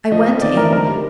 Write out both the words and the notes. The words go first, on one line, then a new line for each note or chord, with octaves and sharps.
I went in.
F3 D#5
C4
D#3 D5
A3 A#4
D3 A#4
G3